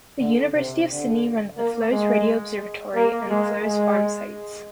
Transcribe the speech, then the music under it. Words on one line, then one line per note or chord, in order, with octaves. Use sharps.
The University of Sydney runs the Fleurs Radio Observatory and Fleurs Farm sites.
D3
C3
D3
A#3
G#3
A#3
G#3
G#3